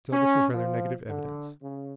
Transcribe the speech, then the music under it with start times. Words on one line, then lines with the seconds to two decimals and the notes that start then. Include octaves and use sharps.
Still this was rather negative evidence.
0.12 C#4
0.53 F3
1.08 D3
1.63 C#3